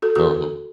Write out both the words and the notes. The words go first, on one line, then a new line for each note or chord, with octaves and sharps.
Uh huh.
F#4 A4
F#4 A4